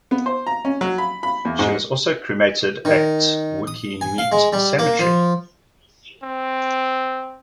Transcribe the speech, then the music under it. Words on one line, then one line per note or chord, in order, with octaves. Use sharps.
She was also cremated at Waikumete Cemetery.
B3
C5
A#5
C#4
F#3
B5
B5
E2
G#2
D#3
D#6
G#5
F5
G#3
G3
A#3
F3
C4